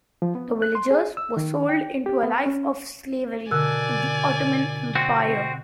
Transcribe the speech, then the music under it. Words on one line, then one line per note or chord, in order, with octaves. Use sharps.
The villagers were sold into a life of slavery in the Ottoman Empire.
F3
B3
F#6
C6
G#4
E6
D#3
G5
G4
B3
C#4
B2 D3 A#4 D5 G#5 E6 F#6
C4 F#4